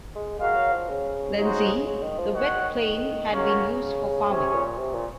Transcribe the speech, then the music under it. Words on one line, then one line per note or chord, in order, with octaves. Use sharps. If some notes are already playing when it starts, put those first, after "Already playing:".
Lenzie, the 'wet plain' had been used for farming.
G#3
G#3 F#4 A#4 F5
F#3
F3
C#3
G#3 D#4 F#4 C5 D#5
C#3
D#3
F3
D#3 F#4 C#5 F#5
C#3 A#3 C#4 F#4 A#4 C#5
C3 C#4 G#4 C#5
A#2
C3
A#2